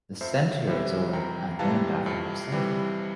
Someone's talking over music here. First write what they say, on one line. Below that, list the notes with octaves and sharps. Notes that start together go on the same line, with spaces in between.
The Center is owned and named after himself.
F2 C5 E5
C3 E3 G3 C5 E5
F2 G5 A#5
C3 E3 G3 F5 A5
F2
C3 E3 G3